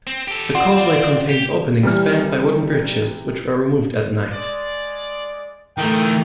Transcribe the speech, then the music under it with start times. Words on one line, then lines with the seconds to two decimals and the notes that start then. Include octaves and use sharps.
The causeway contained openings spanned by wooden bridges, which were removed at night.
0.07 C4
0.28 G4 A4
0.55 C4 F4 D5 F#5 C6
1.29 G4
1.83 C3 E3 G3 F6
4.33 G#3 D5
5.78 E3 A3 D#4 A#4 G5